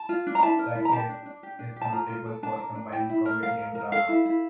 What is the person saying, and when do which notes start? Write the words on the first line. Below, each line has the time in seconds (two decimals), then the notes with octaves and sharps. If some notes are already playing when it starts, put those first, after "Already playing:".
"The Kid" is notable for combining comedy and drama.
Already playing: A5
0.09 F4
0.27 D4
0.35 A#5
0.42 E4 A5
0.59 A#4
0.75 E4
0.85 A#5
0.92 G4 A5
1.09 D4
1.26 D4
1.43 G4
1.59 D4
1.76 G4
1.81 A5
1.92 F4 A#5
2.09 F4
2.26 A4
2.43 D4 A5
2.59 A#4
2.75 D4
2.91 E4 G5
3.10 E4
3.25 A#4
3.43 A#4 F5
3.58 A#4
3.75 A#4
3.92 A4 F5
4.09 E4
4.25 E4